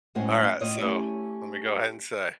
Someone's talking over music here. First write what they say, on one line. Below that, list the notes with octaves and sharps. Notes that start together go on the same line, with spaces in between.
Alright, so, let me go ahead and say
F#2 A2 G#3 C#4 C5 F#5
A2 F4 C#5 D#5
A3 C#4 E4 G4